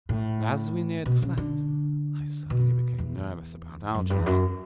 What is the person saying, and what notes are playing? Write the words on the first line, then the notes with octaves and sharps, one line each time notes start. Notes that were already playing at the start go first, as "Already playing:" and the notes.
But as we neared the flat I suddenly became nervous about Algernon.
A2
B2
C#3
D3
B2
E2
F#2
G2
E2
F#2